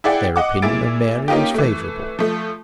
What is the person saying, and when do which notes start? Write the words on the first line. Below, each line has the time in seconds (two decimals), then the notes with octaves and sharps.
Their opinion of Mary was favourable.
0.04 E4 G#4 D5 F#5 G5
0.36 D#5 F#5 D6
0.62 A#2 E4 G#4 A6 D7
1.28 A#3 C#4 D#4 F4 G4
1.54 E3 A3
2.19 F3 A3